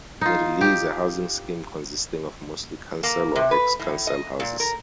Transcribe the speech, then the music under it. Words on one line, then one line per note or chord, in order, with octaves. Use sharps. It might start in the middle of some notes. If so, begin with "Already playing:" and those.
Merrylee is a housing scheme consisting of mostly council or ex-council houses.
D#4 F4
G4
A#3
C3
B4
A2
D#5
A#2
A#4